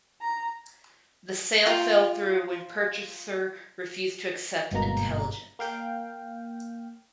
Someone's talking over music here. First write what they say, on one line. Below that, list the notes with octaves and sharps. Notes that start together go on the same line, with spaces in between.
The sale fell through when purchaser refused to accept "Intelligent".
A#5
F4 G5
G1 G#2 B2 A#3 A#5
A#3 F5 G5